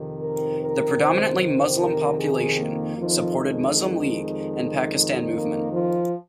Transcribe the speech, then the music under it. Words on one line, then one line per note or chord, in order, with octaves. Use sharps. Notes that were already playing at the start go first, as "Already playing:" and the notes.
The predominantly Muslim population supported Muslim League and Pakistan Movement.
Already playing: F2 C3 D#3
A#4
A#4
C5
C5
A#4
G#4
A#3
F2 D#3 F3
G#3
A#3
F3